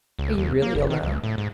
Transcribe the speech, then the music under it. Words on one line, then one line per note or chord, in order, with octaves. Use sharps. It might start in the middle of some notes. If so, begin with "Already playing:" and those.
Are you really alone?
C#2
D#2
A#3
F#1
D#3
C#2
A2
G#2